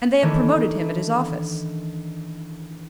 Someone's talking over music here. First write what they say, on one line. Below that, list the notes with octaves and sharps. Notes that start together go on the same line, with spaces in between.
"And they have promoted him at his office."
D#3 E3 A3 C#4 D4 E4